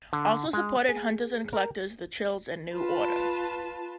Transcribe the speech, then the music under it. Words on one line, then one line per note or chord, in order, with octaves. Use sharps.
Also supported Hunters and Collectors, The Chills and New Order.
D3
G#3
G#4
A#4
F4 B4 A5